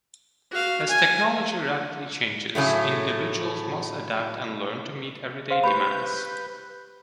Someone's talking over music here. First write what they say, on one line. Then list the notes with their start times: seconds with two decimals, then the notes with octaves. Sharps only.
As technology rapidly changes, individuals must adapt and learn to meet everyday demands.
0.52 F#4 F5
0.88 G#5
2.55 A2 C#3 F#3 A3
5.51 C5 F5 C6
5.64 G4 B4 B5 G6